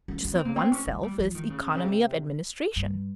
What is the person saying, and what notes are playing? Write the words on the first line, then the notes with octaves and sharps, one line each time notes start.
To serve oneself is economy of administration.
C#4
C#4
C4
A#3
C4
C#4
A#3
G3
F3
D#3
C#3
C3
C#3
C3
G2